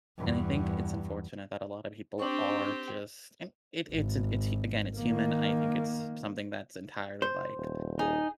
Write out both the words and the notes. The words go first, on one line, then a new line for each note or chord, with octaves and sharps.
and I think it's unfortunate that a lotta people are just it it's it's again, it's human, I think it's something that's entirely, like,
E2 G2
C4 D4 G4 C#6
G#1
D#3 A#3
C5
D#1
D#4 G#4